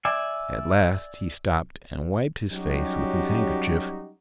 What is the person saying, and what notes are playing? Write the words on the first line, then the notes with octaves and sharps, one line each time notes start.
At last he stopped and wiped his face with his handkerchief.
D5 E5 G#5
F#3 G3 C#4 D#4 F#4 G4